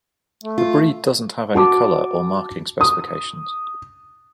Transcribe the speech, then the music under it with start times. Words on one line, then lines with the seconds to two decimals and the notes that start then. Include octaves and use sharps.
The breed doesn't have any colour or marking specifications.
0.43 A3
0.58 F4
1.55 F#4 A5 D6
2.81 D#6